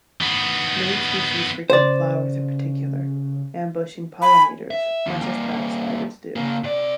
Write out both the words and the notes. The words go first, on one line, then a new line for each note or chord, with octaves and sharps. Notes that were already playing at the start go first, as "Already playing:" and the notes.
Many species frequent flowers in particular, ambushing pollinators, much as crab spiders do.
D#3 B3
C#3 C5 D5
G#5 B5
E5
D#2
G3 A#3
C#3 A#3
C3 D5